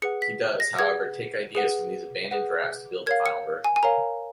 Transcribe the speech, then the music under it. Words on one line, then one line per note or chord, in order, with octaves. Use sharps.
He does, however take ideas from these abandoned drafts to build the final version.
G#4 B4 F#5 C#7
B6
A#6
G#4 B4 F#5 G#6
G#4 B4 F#5
G#4 B4 F#5
A#4 C#5 F5 G#6
C#7
G#5
G#5
A#4 C#5 F5 A#5